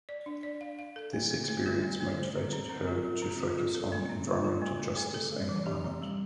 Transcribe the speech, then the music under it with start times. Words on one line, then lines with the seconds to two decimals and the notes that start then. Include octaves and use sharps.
This experience motivated her to focus on environmental justice and climate.
0.09 D5
0.26 D4
0.43 D5
0.61 F5
0.79 F5
0.96 A4
1.13 A3
1.31 A3
1.48 A3
1.66 F4
1.83 A3
2.00 A3
2.18 C5
2.35 C4
2.53 C4
2.70 C4
2.87 F4
3.05 F4
3.22 C4
3.40 F4
3.58 F4
3.75 A4
3.92 A3
4.10 C4
4.27 F4
4.44 F4
4.62 A3
4.79 A4
4.97 A3
5.14 A4
5.32 G3
5.49 E3
5.66 G4
5.84 C4
6.02 G3